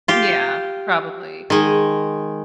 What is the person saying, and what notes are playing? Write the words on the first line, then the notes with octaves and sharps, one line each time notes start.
Yeah. Probably.
F4 G4
D#3 G#3